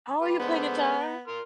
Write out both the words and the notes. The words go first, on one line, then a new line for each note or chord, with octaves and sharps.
Oh, you play guitar?
G4 B4
D3 G#3 B3 C5
A#4 C6 F6